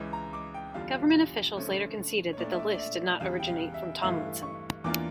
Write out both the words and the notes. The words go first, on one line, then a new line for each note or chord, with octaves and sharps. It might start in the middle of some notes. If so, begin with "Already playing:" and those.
Government officials later conceded that the list did not originate from Tomlinson.
Already playing: C#2 C#3 E3
A#5
D6
G5
E2 D3 G3 D4 F4 F5
D3 F3 A3 C#4
C#5
A#2 A3 D4 D5
E5
D5
D5
E5
E2 C#3 G3 F5
G5
F5
E5
G2 E3 A3 E4 F5
C#6
E2 E3 A#3 D4 F4 D6